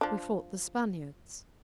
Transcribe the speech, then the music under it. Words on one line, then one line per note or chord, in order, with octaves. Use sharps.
We fought the Spaniards.
F3 D4